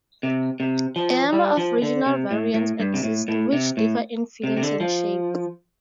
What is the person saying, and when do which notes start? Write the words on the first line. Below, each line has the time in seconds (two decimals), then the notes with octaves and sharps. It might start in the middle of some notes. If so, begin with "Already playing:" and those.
A number of regional variants exist which differ in fillings and shape.
0.23 C3
0.60 C3
0.96 F3
1.33 G3
1.57 F3
1.82 D3
2.06 C3
2.31 A2
2.54 A2
2.80 G2
2.94 C3
3.04 A2
3.28 A2
3.53 C3
3.77 A2
4.44 C3
4.57 C3
4.62 D3
4.80 F3